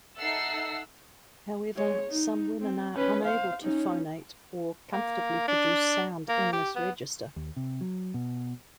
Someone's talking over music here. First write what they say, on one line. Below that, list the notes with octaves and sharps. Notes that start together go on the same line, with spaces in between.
However, some women are unable to phonate or comfortably produce sound in this register.
D#4 A4 E5 F#5 E6 C7
G#3 C#5
D#4
C4
C#4 B4
C5 F5
C#4 D#4
A#3
D4
A#3
G4
B3
D#2
C3
F#3
B2